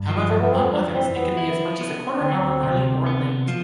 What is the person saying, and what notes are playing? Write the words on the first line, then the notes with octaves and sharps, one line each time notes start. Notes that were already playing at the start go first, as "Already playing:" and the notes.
However, on others, it can be as much as a quarter-hour early or late.
Already playing: G2
F3
A3
B3
F2 C4
D4
E3 C4
B3
E4
B3
D4
D2 C4
C3
B3
F3